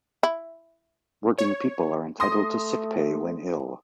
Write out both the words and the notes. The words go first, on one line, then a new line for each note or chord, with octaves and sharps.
Working people are entitled to sick pay when ill.
E4
C#5
A3 C6 D#6 A#6